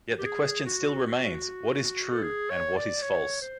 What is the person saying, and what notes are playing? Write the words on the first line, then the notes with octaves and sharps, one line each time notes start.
Yet the question still remains: What is true, and what is false?
G4
G#4
F#4
F#4
A4
G#4
C#5
D5
C#5
C5